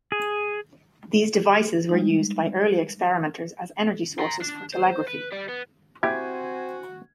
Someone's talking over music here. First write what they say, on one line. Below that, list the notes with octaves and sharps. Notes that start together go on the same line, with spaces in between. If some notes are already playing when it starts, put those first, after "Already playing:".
These devices were used by early experimenters as energy sources for telegraphy.
G#4
G3 G#3 D#4
A#5 C6
D4
C5
B4
G4 D5
B3
C4 E4 F#4 G4 C5 G#5 G#6